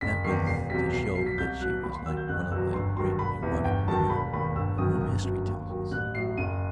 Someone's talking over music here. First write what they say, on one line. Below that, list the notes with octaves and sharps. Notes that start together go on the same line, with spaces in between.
That was to show that she was like one of the great erotic women of whom history tells us.
F#1 B6
E2 D#3 C7
E1 C7
E2 C3 F#3 B6
B1 C7
C7
B2 F#3 C7
B6
C2 G6
B2 F#3 F#6
D#2 B5
C6
D#3 F#3 E6
G6
F#1 F#6
F#6
E2 B2 F#3 E6
G1 C6
G2 D#3 F#3 C6
E1 B5
E2 C3 E3
G1 G5
G2 D#3 F#3 A5
E1 B5
D#2 D#3 B5
G1 E6
F#2 D#3 F#3 D#6
G1 D#6
F#2 F#3
D#2
D#3 F#3
A1 F#6
A2 F#3 C7
F#1 D#7